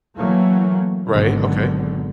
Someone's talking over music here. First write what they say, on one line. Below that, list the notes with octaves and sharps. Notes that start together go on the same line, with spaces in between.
Right, okay.
E3 F#3 A3 A#3
G#1 B2 D3 F#3